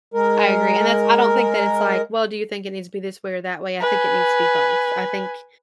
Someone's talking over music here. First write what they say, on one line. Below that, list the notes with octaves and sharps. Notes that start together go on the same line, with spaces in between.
I agree. And that's I don't think that it's like, "Well, do you think it needs to be this way or that way?" I think it needs to be both. I think
G#3 A#4
B4 G#5